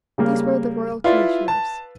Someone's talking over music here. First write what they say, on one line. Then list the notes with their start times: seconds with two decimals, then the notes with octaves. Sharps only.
These were the Royal Commissioners.
0.18 C#3 G3 A#3
1.04 E4 F4 B4 D5 F5
1.48 A5